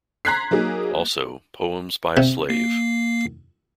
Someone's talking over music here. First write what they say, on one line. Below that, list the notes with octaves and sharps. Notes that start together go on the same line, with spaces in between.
Also, Poems by a Slave.
A#5 C6 F#6 G#6 B6 C7
F#3 A#3 D#4 G#4
C3
A#3 C7